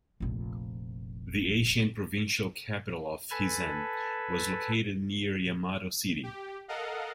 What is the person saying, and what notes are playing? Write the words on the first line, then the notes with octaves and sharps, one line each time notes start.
The ancient provincial capital of Hizen was located near Yamato City.
F1 A#1
A4 B4 G#5 A5 B5
G4
A4 A#4 D#5 F5 F#5